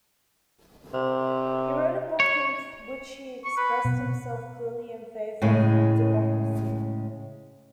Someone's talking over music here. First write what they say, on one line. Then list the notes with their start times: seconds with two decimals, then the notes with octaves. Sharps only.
He wrote a book in which he expressed himself clearly in favor of democracy.
0.94 C3
2.20 C#5
3.45 C#6
3.57 B4
3.85 B2
5.42 A2 C#3 G#3